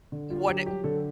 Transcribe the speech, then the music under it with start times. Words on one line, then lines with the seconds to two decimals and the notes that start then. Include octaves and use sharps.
what it w w
0.12 D3
0.30 F4
0.48 F#3 G4
0.66 G4
0.84 D3 A4